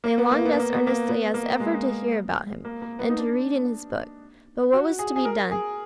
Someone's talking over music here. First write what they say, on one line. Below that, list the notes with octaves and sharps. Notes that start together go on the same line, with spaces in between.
They longed as earnestly as ever to hear about Him, and to read in His Book; but what was to be done?
A#3
B3
A#3
B3
A#3
B3
A#3
B3
A#3
G#3
A#3
A#3
B3
D#4
D4
F#4
G#4
G#4
A#4
G#4